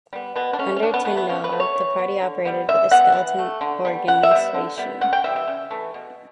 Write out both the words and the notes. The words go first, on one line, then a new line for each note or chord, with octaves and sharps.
Under Tyndall, the party operated with a skeleton organisation.
G3 B3
B2 B3
D4
A3 C#4
C#4
C#3 D4
B3
E3 A3 B3
B3
B2 C#4
B4
F#3 A3
C#5
E3
B3
D3
G3 B3
C#3 E5
G3 B3 F#5
E3
A3
D3
G3 B3
C#3 F#5
E5
G3 B3
D3
G3 B3
C#3 F#5
G5
E3 G3 E5
E5
C#3
E3 A3
B2